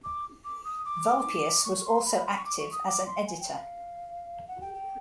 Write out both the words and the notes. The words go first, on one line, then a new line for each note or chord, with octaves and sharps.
Vulpius was also active as an editor.
D6
D6
D#6
D6
C#6
C6
B5
B5
C6
C#6
D6
C#6
D#6
D6
C6
G#5
G5
F5
F#5
G5
G5